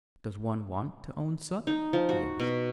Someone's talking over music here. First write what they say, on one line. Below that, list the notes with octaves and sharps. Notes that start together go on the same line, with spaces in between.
"Does one want to own soot?" he asked.
D#4
F3
F#4
B2